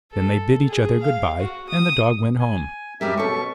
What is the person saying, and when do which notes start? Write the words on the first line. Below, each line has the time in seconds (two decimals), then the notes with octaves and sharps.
Then they bid each other good-by and the Dog went home.
0.12 A4
0.67 G#4
1.02 F5
1.40 F#4
1.69 D#6
2.39 G#5
3.01 F#2 G3 G#3 G4 A#4 E5
3.17 B2 C#4 A4 C#6